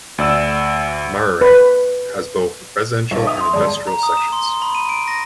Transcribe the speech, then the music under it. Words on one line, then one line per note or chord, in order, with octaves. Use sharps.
Murarrie has both residential and industrial sections.
D2 D5 E6 E7
B4
B1
E5 D#6 F7
C6
F2 G#3 D5
A#5
D#6
E7
C6
B5
D#7
D7
A#6